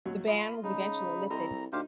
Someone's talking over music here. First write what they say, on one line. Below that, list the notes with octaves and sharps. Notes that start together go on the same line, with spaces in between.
The ban was eventually lifted.
D#2 F#3 F#4
F4 D#5 B5
C#3 G#3 D#4 B5
C2 A4 C5 D#5 A#5
D2 D#4 G4 C5 F5